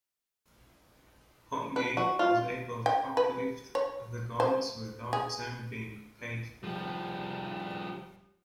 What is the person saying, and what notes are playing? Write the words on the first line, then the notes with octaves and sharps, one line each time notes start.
Hongi was able to uplift the guns without them being paid for.
B4
F#4
F4
G5
B4
C#5
C5
G#4
F3 G3